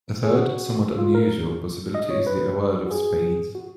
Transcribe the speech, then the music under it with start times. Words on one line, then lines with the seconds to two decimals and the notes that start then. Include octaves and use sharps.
A third, somewhat unusual possibility is the award of "spades".
0.23 G#4
0.35 F#4
0.99 F4
1.15 A#4
1.95 D#5
2.10 C#5
2.27 B4
2.87 F#4
2.91 G#4
3.55 F#4